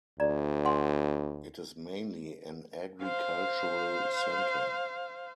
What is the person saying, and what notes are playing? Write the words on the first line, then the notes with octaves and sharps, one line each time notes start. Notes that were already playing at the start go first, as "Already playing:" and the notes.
It is mainly an agricultural centre.
D2 D5 A#5
F#5 G#5 C6
C5 F5